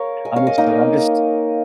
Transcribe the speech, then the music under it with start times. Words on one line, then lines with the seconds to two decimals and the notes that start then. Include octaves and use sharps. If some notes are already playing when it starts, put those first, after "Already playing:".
Understood, I'm just
Already playing: A#4 C#5 F5
0.25 D#5 G#5
0.36 C#5 F5
0.47 A#4 D#5
0.58 A#3 D#4